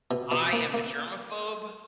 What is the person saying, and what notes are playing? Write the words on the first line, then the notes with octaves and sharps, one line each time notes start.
I am a germaphobe
B2
B2
A#3
A#3